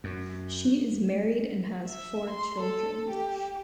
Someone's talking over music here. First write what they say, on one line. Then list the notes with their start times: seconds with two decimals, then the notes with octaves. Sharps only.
She is married and has four children.
0.04 F#2
1.87 E5
2.30 C6
2.60 A4
3.09 G4